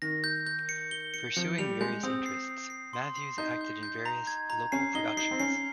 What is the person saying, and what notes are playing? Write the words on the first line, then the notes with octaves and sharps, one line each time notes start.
Pursuing various interests, Matthews acted in various local productions.
D#3 A#6
G6
G6
C#7
G7
C#7
F3 C#7
G3 F7
G#3 G6
C4 D#6
C7
C7
C7
C6
C7
D#4 G6
G6
G6
A#5
G#6
A#5
C#4 C7
D#4 G7
D#4 C7
C4
C#4 C7